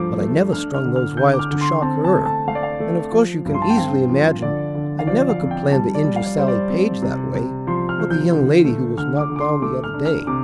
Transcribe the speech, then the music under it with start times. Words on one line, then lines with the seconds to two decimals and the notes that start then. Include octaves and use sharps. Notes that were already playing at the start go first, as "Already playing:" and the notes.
"But I never strung those wires to shock her, and of course you can easily imagine I never could plan to injure Sallie Page that way, or the young lady who was knocked down the other day."
Already playing: G2 F3 A3 D6
0.20 A3
0.53 D4 F6
0.74 F6
0.85 D3
0.96 F6
1.17 D3 G6
1.33 D6
1.39 F6
1.51 D3
1.61 C6
1.82 C4 A5
2.05 A5
2.15 A3
2.26 A5
2.47 A3 F5
2.55 D5
2.63 F5
2.80 A3
3.12 F3
3.45 G2
3.54 C6
3.62 A5
3.70 G5
3.77 C4 F5
4.09 F3
4.42 D3 D5
4.75 D3
4.99 F5
5.07 F3 D5
5.29 F5
5.41 F2
5.51 G5
5.73 G3 A5
5.95 D5
6.04 G3
6.16 F5
6.26 D5
6.37 G3 C5
6.48 D5
6.70 C4
7.02 C3
7.35 C3
7.67 F3 C6
7.89 F6
8.00 F3
8.10 G6
8.32 D3
8.65 A3
8.97 D3 F6
9.19 D6
9.30 D3
9.36 D6
9.40 C6
9.62 A3 D6
9.84 F6
9.94 D4
10.05 F6
10.27 C3 D6